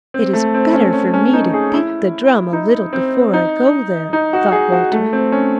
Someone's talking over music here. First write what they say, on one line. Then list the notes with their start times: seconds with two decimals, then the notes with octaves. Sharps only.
'It is better for me to beat the drum a little before I go there,' thought Walter.
0.14 C4
0.33 A3
0.54 C4
0.73 C#4
0.93 C#4
1.14 C#4
1.33 D#4
1.54 G#4
1.74 E4
2.53 D#4
2.93 C4
3.33 D#4
4.13 D#4
4.33 F#4
4.52 G#4
4.72 F#4
4.92 A3
5.13 C4
5.32 C#4